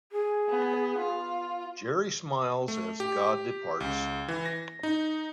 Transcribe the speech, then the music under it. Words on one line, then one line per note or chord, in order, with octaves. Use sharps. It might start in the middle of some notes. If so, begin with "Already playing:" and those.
Jerry smiles as God departs.
G#4
B3
F4
A3
G4
C#2
E3
A#6
D#4